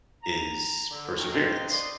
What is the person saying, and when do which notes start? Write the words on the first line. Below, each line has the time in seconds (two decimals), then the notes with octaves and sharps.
is perseverance,
0.23 A#5
0.91 D3
1.17 D2 B2 D#3 E3 D#4 A#5
1.32 A#4 C5 D#5 F5 G5 C6
1.71 B4 D5 D#5 C6